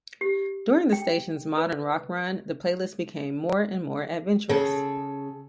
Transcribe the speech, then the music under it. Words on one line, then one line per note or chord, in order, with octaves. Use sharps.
During the station's modern rock run, the playlist became more and more adventurous.
G4
G5
B4
C#3 G#4 A4